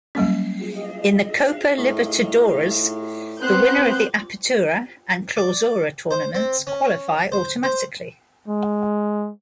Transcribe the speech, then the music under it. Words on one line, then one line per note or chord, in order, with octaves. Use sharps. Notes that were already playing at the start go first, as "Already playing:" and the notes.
In the Copa Libertadores, the winner of the Apertura and Clausura tournaments qualify automatically.
F#3 G3 A#3 C#4
A2
B3 C4 C5 F#6 G6
D5
C5
C4
C#4
C5
C5
G#3